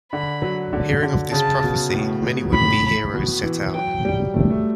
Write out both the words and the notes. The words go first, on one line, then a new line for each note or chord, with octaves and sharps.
Hearing of this prophecy, many would-be heroes set out.
D3 B5
F#3
D3
D3
C#3 A5
B2
B2
A2
B2
A2 B5
B2
E3
F#3 G5
G3
A3
G3
A3